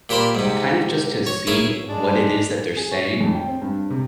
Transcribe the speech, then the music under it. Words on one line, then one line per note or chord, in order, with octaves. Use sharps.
kind of just to see what it is that they're saying,
A#2 G4 A#4 C5 B5 C6
G#2 C3
C#5
E4 G#4 A#4 C#5
G#3 D4
G#4
C#5
F2
G5
C4
G2
C3